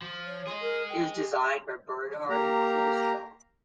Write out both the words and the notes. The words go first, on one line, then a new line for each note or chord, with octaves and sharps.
It was designed by Bernard Culshaw.
F3
C#5
G#4 D#5 C6
A#4
G5
G4
A#3 G4 A#5